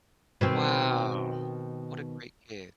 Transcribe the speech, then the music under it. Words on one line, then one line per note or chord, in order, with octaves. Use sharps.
Wow, what a great kid.
B2 D#3 C4